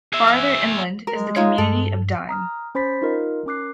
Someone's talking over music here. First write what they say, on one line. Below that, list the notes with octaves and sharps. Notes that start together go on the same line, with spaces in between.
Farther inland is the community of Dime.
G#4 E5
G#3 A#4
D#4 F4 C#5
G2 A4
A#5 D#6 F6
C#4 C5 B5 A6 B6
D#4 F4 A#4 D#5
C#4 A#4 D6 F#6 C7